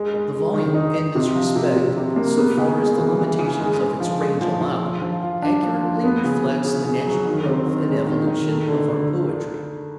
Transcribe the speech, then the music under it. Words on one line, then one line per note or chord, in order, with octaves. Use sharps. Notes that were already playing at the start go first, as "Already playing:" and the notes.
The volume, in this respect, so far as the limitations of its range allow, accurately reflects the natural growth and evolution of our Poetry.
Already playing: G#3
G#3
G#3
D#3
D#4
D#4
C3
F3
C3
C3
C3
A#3
B3
C#3
G#3
E3
E3
C#3
G#3
G#3
F3
G#3
F3
F3
F4
F3
F4
D4
F3
F3
B3
C#3
C#3
C#3
C#3
F#3
D#3
C4
D#3
G#3
D#3
D#3
A3
D3
D3
D3
D3